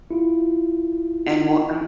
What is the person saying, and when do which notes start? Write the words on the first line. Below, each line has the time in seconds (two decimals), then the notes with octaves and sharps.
And what no
0.11 E4 F4